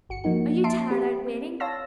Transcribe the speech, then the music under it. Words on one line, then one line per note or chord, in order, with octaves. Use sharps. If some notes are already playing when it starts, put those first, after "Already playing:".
Are you tired out waiting?
G1 F#4 C#7
F3 A#3 D#4 F#4
E5 A5 C6 C7 D7
C4 G4
C#5 F5 A5 C6 E6 A#6